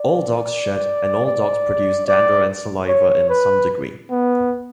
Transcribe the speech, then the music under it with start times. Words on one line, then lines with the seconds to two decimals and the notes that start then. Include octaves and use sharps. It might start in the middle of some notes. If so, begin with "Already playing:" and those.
All dogs shed, and all dogs produce dander and saliva in some degree.
Already playing: D5
1.26 D5
2.08 D5
2.88 C#5
3.29 B4
4.10 B3